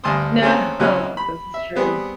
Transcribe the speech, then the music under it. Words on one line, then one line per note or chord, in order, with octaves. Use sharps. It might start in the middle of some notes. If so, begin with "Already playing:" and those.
No. This is true.
D2 G2 G#5 A5 C6 D#6
A3 A#3 C4 C#4 G#4
C#2 F#3 C4 C#4 F#6
B5
E5
G3 B3 C4 G#4